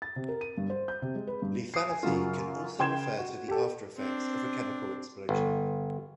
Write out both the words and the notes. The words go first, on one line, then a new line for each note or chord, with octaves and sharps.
Lethality can also refer to the after-effects of a chemical explosion.
A6
C3
A#4
D#7
G2
C5
G6
C3
G#3
B4
G2
D#6 C7
G#5
F#2 C#3 F#3 F4
C#3 G5 C6 G#6 E7
F#4
G4 A4
C4 D4
G1